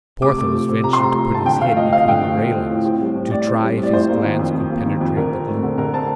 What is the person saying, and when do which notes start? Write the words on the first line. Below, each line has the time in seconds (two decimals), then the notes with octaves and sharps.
Porthos ventured to put his head between the railings, to try if his glance could penetrate the gloom.
0.22 C3 D6
0.38 A3
0.53 F3
0.69 C4
0.84 C3 A#5
0.93 C6
1.00 A3 A#5
1.15 F3
1.30 C4 A5
1.45 D3 G5
1.61 A3 F5
1.76 F3 D#5
1.92 C4 F5
2.08 D3 G5
2.23 A3
2.38 F3
2.54 C4
2.70 A2
2.85 C4
3.00 G3
3.15 A2
3.31 A2 D5
3.47 C4
3.62 G3
3.78 A2
3.83 D5
3.93 F2 C5
4.09 A#3
4.24 D#3
4.39 F2
4.55 F2
4.70 A#3
4.86 D#3
5.01 F2
5.16 D3 A#4
5.32 C4
5.47 A3
5.63 D3
5.78 D3 A#4
5.93 C4 A5